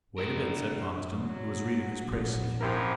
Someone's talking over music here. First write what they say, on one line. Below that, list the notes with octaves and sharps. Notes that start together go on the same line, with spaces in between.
"Wait a bit," said Conniston, who was reading his precis.
D4 A#4
F#3
A#1 C#4
G#2 F3 C4 E4 G4 A#4